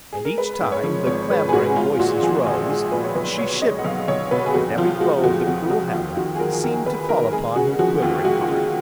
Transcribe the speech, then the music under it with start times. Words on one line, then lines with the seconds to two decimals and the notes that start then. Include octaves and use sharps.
And, each time the clamouring voices rose, she shivered, and every blow of the cruel hammer seemed to fall upon her quivering heart.
0.13 G#4
0.25 A#4
0.37 G#3 B4
0.61 G#2
0.72 C#5
0.84 F3
1.07 G#1 C#5
1.31 G#3 B4
1.49 G#4
1.53 G#2 F#4
1.76 G#3 F4
1.99 A#2 F#4
2.22 F3 G#4
2.47 A#1 F4
2.69 G#3 G#4
2.92 A#2 B4
3.04 C#5
3.15 B1 B4
3.38 B2 C#5
3.62 G#3 D#5
3.78 F#5
3.84 B1 F5
4.08 B1 C#5
4.31 B2 B4
4.46 G#4
4.54 F2 F#4
4.78 F3 F4
5.00 G#3 F#4
5.23 F2 F#4
5.47 F2 F#4
5.70 F3 F#4
5.93 D#2 F4
6.13 F4
6.16 D#3 F#4
6.35 G#4
6.39 F#3 A#4
6.53 G#4
6.63 D#2 A#4
6.86 D#2 B4
7.09 D#3 A#4
7.32 G#3 G#4
7.56 C#3 F#4
7.79 F3 F#4
8.02 D#2 F4
8.25 G#3 F#4
8.48 C#3 F4